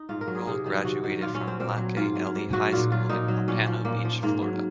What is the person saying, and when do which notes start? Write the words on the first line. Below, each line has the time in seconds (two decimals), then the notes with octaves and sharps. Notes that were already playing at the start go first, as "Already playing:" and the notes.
Rolle graduated from Blanche Ely High School in Pompano Beach, Florida.
Already playing: D#4
0.09 G#2 F4
0.21 A#4
0.28 F#3
0.35 G#4
0.47 C3 G#4
0.66 D#3 F#3
0.84 C3 F#4
1.03 D#3 F#3
1.21 A#2 F4
1.35 C#4
1.40 F#3
1.47 C4
1.60 A#2 C4
1.78 F#3
1.97 G#2 F4
2.15 F#3
2.35 G#2
2.53 F#3 F#4
2.72 A#2 F4
2.92 F#3 F4
3.09 A#2 D#4
3.28 F#3
3.48 A#2 C#4
3.67 F3
3.85 A#2 A#3
4.05 F3
4.23 G#2 A#3
4.42 F#3